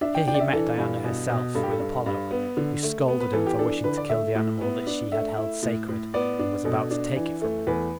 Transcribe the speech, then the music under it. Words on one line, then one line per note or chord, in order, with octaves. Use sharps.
Here he met Diana herself with Apollo, who scolded him for wishing to kill the animal that she had held sacred, and was about to take it from him.
D4 E5
G5
D4 G5
D5
E5
E3 A4
G2
B2
B2
G2 A4
G4
A4
G2
G2
B3
D3
A3
B3
B4
E3 A4
G4
D4 A4
D3 B4
D5
A3 E5
A2
B3
D4
A3 E5
E4
A2
A2
B3 D5
D4
B2 A4
D4
E3
A3
E2 B4